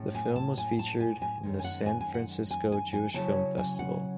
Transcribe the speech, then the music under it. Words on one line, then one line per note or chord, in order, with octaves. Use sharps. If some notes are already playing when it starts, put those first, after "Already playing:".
The film was featured in the San Francisco Jewish Film Festival.
Already playing: A2 G#3 C#4
G#5
A5
G#5
A5
G#5
G#5
F#2 D#3 G#3
G#5
F#5
G#5
G#5
F#5
G#5
G#5
G#5
C#3 F#3 C#4 E4 A5
G#5
F#5